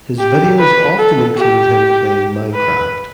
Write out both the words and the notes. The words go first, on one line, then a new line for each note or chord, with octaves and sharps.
His videos often included him playing "Minecraft".
G4
B4
A4
G4
B4